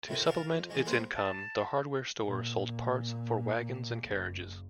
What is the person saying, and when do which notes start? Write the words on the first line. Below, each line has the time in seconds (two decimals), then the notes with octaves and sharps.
To supplement its income, the hardware store sold parts for wagons and carriages.
0.08 A2 C3 D#3 E4 F#4
0.26 A#4 F5 A5
0.52 F2
0.69 A1 G#3 F#4
0.85 G3 A#3 G4 B4 C5
1.16 A5
2.25 A#2
4.04 F#1